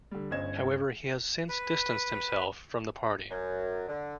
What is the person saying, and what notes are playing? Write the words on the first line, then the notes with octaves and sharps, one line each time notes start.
However, he has since distanced himself from the party.
D3 G3
G1 C#4 C5 D#5 G#6 E7
B4
F#2
D3